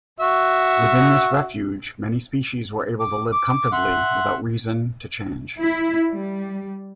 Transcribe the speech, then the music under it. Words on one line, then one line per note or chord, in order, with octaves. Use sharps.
Within this refuge many species were able to live comfortably without reason to change.
F#4 E5
D6
D6
E5 F#5 C6
E4
G3